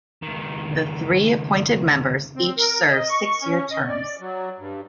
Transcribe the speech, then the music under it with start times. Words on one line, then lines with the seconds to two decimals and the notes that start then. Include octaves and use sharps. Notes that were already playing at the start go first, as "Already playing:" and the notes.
The three appointed members each serve six-year terms.
0.23 C#2 D#3
2.36 C4
2.57 A#4
2.90 D#5
3.09 C#6
3.42 C#4
3.71 D#5
3.88 D5
4.20 F#3
4.59 G2